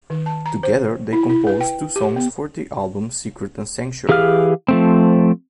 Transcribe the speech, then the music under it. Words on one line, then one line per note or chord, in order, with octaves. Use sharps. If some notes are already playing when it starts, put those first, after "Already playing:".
Together they composed two songs for the album, "Secret" and "Sanctuary".
D#3
A5
A#5
C5
E4
E4
B4
G5
G4
B3
E3 G4 G#4 F5 F6
F3 A3 C4